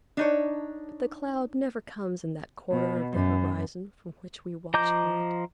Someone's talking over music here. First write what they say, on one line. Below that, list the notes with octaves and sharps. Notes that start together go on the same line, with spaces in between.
But the cloud never comes in that quarter of the horizon from which we watch for it.
D4 D#4 C#5
B2
F#2
F3 D#5 A#5 D6 G6